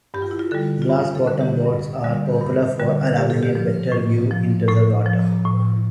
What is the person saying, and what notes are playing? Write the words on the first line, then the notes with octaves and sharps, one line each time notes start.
Glass-bottom boats are popular for allowing a better view into the water.
G2 G4
F4
E4
F4
D3 G3 A4
F4
G2 G4
A4
D3 G3
G4
G2
D3 G3
G2
D3 G3
A2 G4
A4
G4
F3
A2
F3
A2 A4
F3
A2